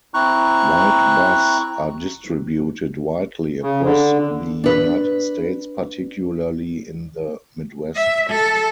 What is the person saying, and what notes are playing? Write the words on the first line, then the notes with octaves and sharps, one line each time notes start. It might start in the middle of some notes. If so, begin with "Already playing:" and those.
White bass are distributed widely across the United States, particularly in the Midwest.
C4 E4 A#5 C#6 F#6
C#3
D3
D4 B4
E5
A4